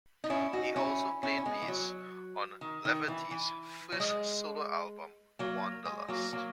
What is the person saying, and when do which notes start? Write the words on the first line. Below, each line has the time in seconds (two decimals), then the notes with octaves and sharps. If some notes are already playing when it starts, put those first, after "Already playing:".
He also played bass on Leverty's first solo album, "Wanderlust".
0.24 D#4
0.30 C#4 E4
0.53 D#4 F#4
0.76 C#4 E4
1.23 C#4 E4
1.38 C#4
1.46 G#3 B3
1.62 E3
1.68 F#3
2.61 D#3
2.85 D#3
3.08 E3
3.31 E3
3.92 F#3
4.00 G#3
5.39 F#3 A#3
5.85 G#3
6.08 F#3 A#3
6.33 F#3 A#3